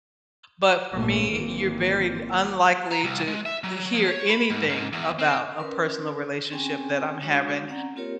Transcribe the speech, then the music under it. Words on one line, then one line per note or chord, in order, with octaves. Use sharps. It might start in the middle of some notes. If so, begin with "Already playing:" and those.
but for me, you're very d unlikely to e hear anything about a personal relationship that I'm having.
A#1 G#2 A3 A#3 C#4
G#1 D#3 E3 A#3 C4
A#5
C2
G#3
E5
F#3
F3
C#5
B5
G#2
G#2
E2
C4
C#4 A#4 B4 D5 C6
C4 C#4 G#4 G5 G#5 C6
G#3 D4 F#4 C#5 C#6 D#6
C4 C#4 D5 F#5 A#5
A#3 C4 F4 G4 A#4 C#5